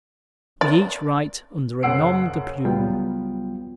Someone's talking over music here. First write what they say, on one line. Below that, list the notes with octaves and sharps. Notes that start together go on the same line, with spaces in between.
We each write under a nom-de-plume.
D5
F#1 C#3 F#5 E6 C7 D7
C#2 F#3 G3 B3 F4 G5